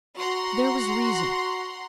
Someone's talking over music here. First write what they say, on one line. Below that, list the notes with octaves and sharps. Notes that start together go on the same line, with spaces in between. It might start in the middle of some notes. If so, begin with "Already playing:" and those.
There was reason.
F#4 F#5 A#5 C6